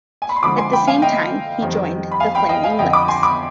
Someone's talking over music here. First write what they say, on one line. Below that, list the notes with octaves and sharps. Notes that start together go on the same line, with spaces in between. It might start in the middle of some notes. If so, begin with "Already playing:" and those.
At the same time, he joined The Flaming Lips.
G#5
B5
C6
D3 F3 G#3 C4 B5 D6
G#5 C6
G5 B5
F5 G#5
D#5 G5
F2 D#3 G3 C4
B5
F5 G#5
G5 B5
D#5 G5
F5 G#5
F2 D3 F3 D#5 G5
B5 D6
G#5 C6
B5 D6